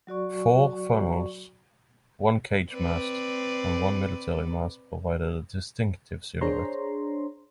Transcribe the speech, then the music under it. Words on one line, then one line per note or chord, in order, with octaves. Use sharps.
Four funnels, one cage mast, and one military mast provided a distinctive silhouette.
F#3 F#4 D5 C#6
C4 B4 D5
D4 G#4 C5 C#5 A#5 C6